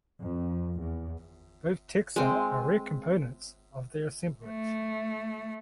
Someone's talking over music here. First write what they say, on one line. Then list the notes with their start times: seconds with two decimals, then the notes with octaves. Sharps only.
Both taxa are rare components of the assemblage.
0.20 F2
0.81 E2
2.16 G#3 C4
4.46 A3